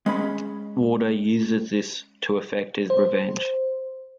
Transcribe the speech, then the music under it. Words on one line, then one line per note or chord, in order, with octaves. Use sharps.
Waldo uses this to effect his revenge.
G#3 C#4 B5
C5